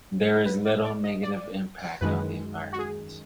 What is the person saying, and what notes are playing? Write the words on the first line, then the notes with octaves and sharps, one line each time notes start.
There is little negative impact on the environment.
B4
D5
D5
D#5
D5
F#2 D#3 G#3 B4
F#4
G#4